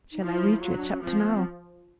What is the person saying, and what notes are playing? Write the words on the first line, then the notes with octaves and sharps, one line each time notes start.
'Shall I read you a chapter, now?'
D#4
F3 E4
F#3 F4
D4
C#4
F3 C4
A#3
B3
C4